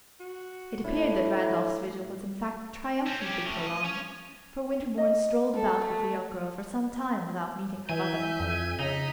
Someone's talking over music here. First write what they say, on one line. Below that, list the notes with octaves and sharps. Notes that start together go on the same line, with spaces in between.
It appeared that Randolph's vigil was in fact triumphantly prolonged, for Winterbourne strolled about with the young girl for some time without meeting her mother.
F#4
A2 D4 E4
C4 C#4
C#4 G4
A2 C#4
D#5
C#4
D#5
A4
A3
E3 E5 G#5 G6
F2
C#3 D#4 D#5 B6